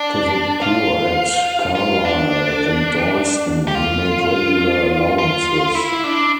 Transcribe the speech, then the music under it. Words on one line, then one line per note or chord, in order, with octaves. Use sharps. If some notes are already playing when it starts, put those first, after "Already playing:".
To the poor at Carlisle and Dalston he made regular allowances.
Already playing: D4
F4
F4
D4
G4
F4
F4
E4
D4